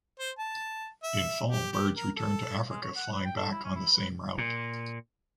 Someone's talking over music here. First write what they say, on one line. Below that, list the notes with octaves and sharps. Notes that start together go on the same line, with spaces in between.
In Fall birds return to Africa flying back on the same route.
C5
A5
E5
G4
G4
A#4
A4
G#3
C#5
F#5
B4
G5
A4
E4
C#4
E4
B4
A#2